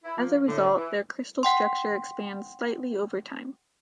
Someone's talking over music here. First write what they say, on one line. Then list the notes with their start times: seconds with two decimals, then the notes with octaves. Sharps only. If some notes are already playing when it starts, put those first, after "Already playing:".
As a result, their crystal structure expands slightly over time.
0.04 E4
0.18 F3 A#3
0.48 A2 D3
0.76 E3
1.43 F#5 G5 C6